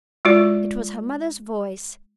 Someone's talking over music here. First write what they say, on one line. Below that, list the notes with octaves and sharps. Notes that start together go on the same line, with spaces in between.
It was her mother's voice.
G#3 F4 F#4 D5